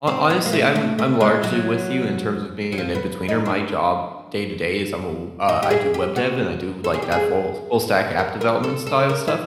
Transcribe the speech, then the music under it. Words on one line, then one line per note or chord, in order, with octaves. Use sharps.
Ho honestly, I'm I'm largely with you in terms of being an inbetweener. My job, day-to-day, is I'm a w uh, I do web dev, and I do, like, that full full stack app development style stuff.
C4
B3
A#3
A3
A3
A3
G#3
F#3
F#3
F3
B3
D#4
D4
D#4
G4
G#4
G4
F#4
A4
G#4
G4
G#4
A#4
A#4
A4
A4
A#4
E4